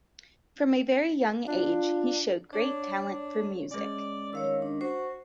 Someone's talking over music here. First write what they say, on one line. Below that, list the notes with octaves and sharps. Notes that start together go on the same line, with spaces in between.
From a very young age, he showed great talent for music.
D4 F4
D4 C#5
D4
G#3 C#4 D5
D#3 C#5 F5 E6
D4
F#4 C5